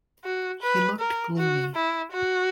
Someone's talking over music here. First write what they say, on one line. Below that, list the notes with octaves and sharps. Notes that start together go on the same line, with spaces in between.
He looked gloomy.
F#4
B4
A#4
F#4
E4
F#4